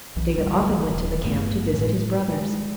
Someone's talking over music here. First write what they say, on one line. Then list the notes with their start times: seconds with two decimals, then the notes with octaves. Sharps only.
David often went to the camp to visit his brothers.
0.16 B1 E3
0.36 G#1 D2 G3
0.92 D#1
1.23 G#1 G2 A3 B3
1.73 A2 G#3
2.28 G#3